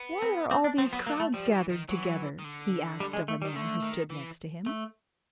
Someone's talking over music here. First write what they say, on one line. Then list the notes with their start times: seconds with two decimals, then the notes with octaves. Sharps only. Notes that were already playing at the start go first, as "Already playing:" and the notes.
'Why are all these crowds gathered together?' he asked of a man who stood next him.
Already playing: B3
0.22 C4
0.51 C4
0.64 D4
0.78 F#3 C4
0.87 F3
0.93 F#3 B3
1.07 A#3
1.20 A3
1.34 F3 G3
1.52 E3
1.70 D#3
1.89 E3 F#3
2.39 D#3
2.44 D3
3.00 G3
3.13 G#3
3.28 A3
3.42 G3
3.45 D#3
3.55 D3 A3
3.83 D#3
4.10 E3
4.66 A3